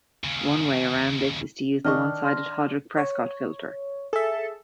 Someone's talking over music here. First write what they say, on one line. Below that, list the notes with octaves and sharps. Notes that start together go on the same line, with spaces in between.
One way around this is to use the one-sided Hodrick-Prescott filter.
D#2 C#3
D#3 D4 D#5 C#6 F6
C6 F6 A#6
C#5
G#4 A4 E5